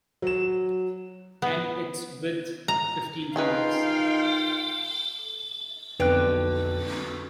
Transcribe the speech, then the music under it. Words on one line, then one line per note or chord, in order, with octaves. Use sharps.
And its width: fifteen fingers.
F#3 E7
B3
A#5
D#3 D#4 F4 G#4 B4 F5 G5
B1 F2 B2 D3 B4 G5 F#6